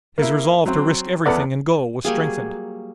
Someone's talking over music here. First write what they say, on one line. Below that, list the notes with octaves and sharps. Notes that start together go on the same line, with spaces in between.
His resolve to risk everything and go was strengthened.
A#3 E4
F#3 C4
E2 B3 A4 D5 F#5
F#3 G3 A#3 G#4